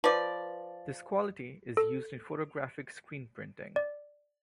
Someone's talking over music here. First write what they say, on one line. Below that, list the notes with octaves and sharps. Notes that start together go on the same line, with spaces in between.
This quality is used in photographic screen-printing.
F3 B4 D5
A4
D5